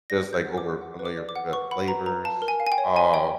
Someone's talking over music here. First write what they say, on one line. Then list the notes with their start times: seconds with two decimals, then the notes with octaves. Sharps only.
Just, like, over familiar fa uh, flavors, uh,
0.10 D5 A#6
0.27 B4
0.33 G6
0.45 F#5
0.58 D6
0.63 D5
0.81 F#5
0.99 B4
1.05 D6
1.17 D5
1.29 D6
1.36 F#5
1.53 B4 C#6
1.71 F#5 B5
1.88 B4 A#5
2.06 B4 A#5
2.24 F5 A5
2.42 A#4
2.48 G#5
2.60 F5
2.67 G#5
2.72 G5
2.78 C#5
2.96 C#5 G#5
3.14 C#5 G5